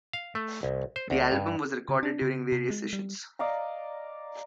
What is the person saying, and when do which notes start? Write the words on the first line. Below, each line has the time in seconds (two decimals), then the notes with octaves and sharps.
The album was recorded during various sessions.
0.13 F5
0.35 A3
0.63 C2
0.96 C5
1.10 D2
1.32 G2
1.89 C#3
2.03 D4
2.22 C#3
2.52 C3
2.70 G#3
2.93 G3
3.39 D5 D#5 F5 A#5